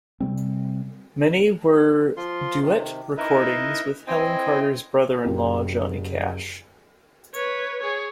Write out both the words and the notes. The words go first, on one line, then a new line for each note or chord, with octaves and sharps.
Many were duet recordings with Helen Carter's brother-in-law Johnny Cash.
C3 G3 C4
F3 F4 C6
C3 D#3
D#4 E4 A#4 B4 D#5 E5
C4 E4 C5 D#5 G5 G#5
F#1 G4
B4 C#5
G#4 C#5